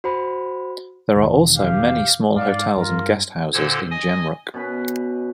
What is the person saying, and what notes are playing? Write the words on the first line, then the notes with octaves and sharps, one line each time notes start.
There are also many small hotels and guest houses in Jemruk.
F#4 C5 B5
E1 D#3
G4 F5
G#2 D5 F5
G2 F4 A#4
A#2 D3 A4 C5 G#6
D#5 G#5 D#6
B2 C#4 B4 B5